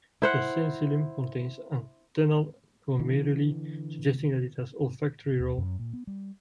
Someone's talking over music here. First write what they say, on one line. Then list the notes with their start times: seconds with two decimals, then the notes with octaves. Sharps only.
The sensillum contains antennal glomeruli, suggesting that it has an olfactory role.
0.22 E4 C5 F#5
2.99 D3 E3
5.39 D#2
5.58 F#2
5.79 A#2
5.93 B3
6.07 G3